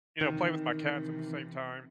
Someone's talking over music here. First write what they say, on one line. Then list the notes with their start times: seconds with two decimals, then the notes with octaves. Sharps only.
you know, play with my cats at the same time.
0.21 C3 D#3 E3